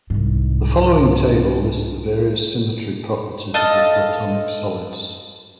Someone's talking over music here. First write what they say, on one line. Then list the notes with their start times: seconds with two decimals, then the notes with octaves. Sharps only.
The following table lists the various symmetry properties of the Platonic solids.
0.10 C2 G#2
3.54 A4 D#5 F5 A5